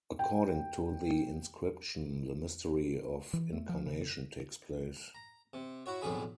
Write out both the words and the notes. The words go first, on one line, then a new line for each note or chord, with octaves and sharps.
According to the inscription, the mystery of incarnation takes place.
G5
E3
A3
F3
C#3
A#5
C3
E4 F#4 C#5
B1 F2 A2 D3 G#4 B5